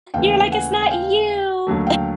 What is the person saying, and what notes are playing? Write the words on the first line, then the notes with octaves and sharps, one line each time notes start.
you're like, "It's not you."
D#2 C#3 E3 A3 F5 G5
F#5 G#5
G#5
F5 G5
D#2 D3 F#3 A3
F5 G5